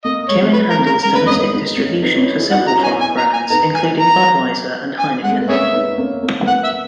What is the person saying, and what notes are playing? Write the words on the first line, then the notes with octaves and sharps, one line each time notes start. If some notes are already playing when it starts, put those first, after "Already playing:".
Kirin handles domestic distribution for several foreign brands, including Budweiser and Heineken.
A#3 D#5
G#3 C#5
A#3
G#3 B4
A#4
A#3
A#4
G#3 A#4
A#3 B4
C#4
G#3 B3 D#5
A#3
G#3 B3
B3 D#4
A#3 C#4
B3 D#4
C#4 E4
E4 G#4
D#4 F#4 F#5
A#5
C#4 E4
G#5
G#5
A#5
G#5
B3 D#4 A#5
G#5
A#5
G#5
G#3 F#5
A#3
B3
A#3 C#4 G#4 C#5 E5
B3 D#4
A#3 C#4
A#3
B3
A#3 F#5
E5